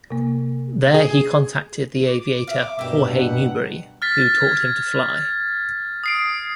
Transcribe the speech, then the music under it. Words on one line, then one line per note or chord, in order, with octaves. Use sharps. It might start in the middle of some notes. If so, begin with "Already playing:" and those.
There he contacted the aviator Jorge Newbery, who taught him to fly.
C3 A#3
G#4
D6
E5 F5
G2 B2 A#3 G4 E5
F#5
F6 A6 B6
G#6
D#6 C7 D7